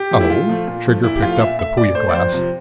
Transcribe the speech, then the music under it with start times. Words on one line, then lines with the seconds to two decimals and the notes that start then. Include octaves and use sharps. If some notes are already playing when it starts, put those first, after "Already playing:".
"Oh?" Trigger picked up the Puya glass.
Already playing: G4
0.11 F3 A3
0.21 E4
0.30 A#2 F4
0.49 F3 A3
0.67 A#2
0.85 F3 A3
1.04 A#2 E4
1.16 G4
1.22 F3 A3 F4
1.32 F5
1.40 A#2 E5
1.58 A3 E5
1.77 A#2 D5
1.95 A3 C5
2.09 D5
2.14 F2 C5
2.32 C3 F3